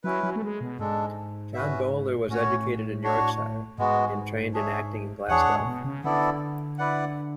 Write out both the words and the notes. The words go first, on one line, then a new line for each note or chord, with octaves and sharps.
John Bowler was educated in Yorkshire, and trained in acting in Glasgow.
F#3 C#4 E4 B4
F#3
A3
G#3
B2
G#2 G#3 D4 A4
C#4 F#4 B4 E5
A2 C#4 F#4 C#5
D4 F#4 C#5
G#2 G#3 B3 F#4
D4 G#4 C#5 E5
E2 D4 G#4 C#5 F#5
G#2
A2
B2
C#3
D3 B3 E4 A4 D5
E4 B4 D5 F#5